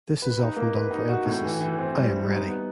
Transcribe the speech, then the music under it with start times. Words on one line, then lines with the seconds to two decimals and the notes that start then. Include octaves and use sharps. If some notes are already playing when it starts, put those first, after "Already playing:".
This is often done for emphasis: I am ready!
0.22 B4
0.39 D#4
0.56 A#3
0.74 B4
0.91 D#4
1.08 F#4
1.26 A2
1.44 E3
1.61 E3
1.78 C4
1.96 G3
2.13 G3
2.31 D#4
2.48 B3